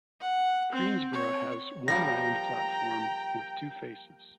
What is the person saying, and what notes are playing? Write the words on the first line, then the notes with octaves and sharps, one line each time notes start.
Greensborough has one island platform with two faces.
F#5
C4
C#5
F3 G3 A#3 G5 A#5 A#6